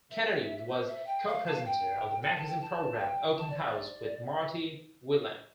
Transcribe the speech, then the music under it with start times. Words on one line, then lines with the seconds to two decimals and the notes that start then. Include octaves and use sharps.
Kennedy was co-presenter of the magazine programme "Open House" with Marty Whelan.
0.11 E5
0.69 C5
0.87 E5
1.06 G5
1.26 F5
1.46 A5
1.56 F5
1.65 G5
2.22 G5
2.35 A5
2.48 G5
2.60 A5
2.99 G5
3.36 A5
3.50 D5
3.58 C5
3.63 D5